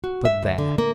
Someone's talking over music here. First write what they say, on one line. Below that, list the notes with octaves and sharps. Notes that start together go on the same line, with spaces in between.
But there!
F#4
E5
D2
D3
A#3